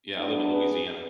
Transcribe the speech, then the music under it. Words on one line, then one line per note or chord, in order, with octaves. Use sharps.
yeah, I live in Louisiana.
A2 F#3 B3 D4
G#4 B4